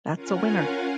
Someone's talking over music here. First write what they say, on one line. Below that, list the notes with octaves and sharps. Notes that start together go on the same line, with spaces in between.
That's a winner!
C#4 F4 A#4 F5 F#5 G#5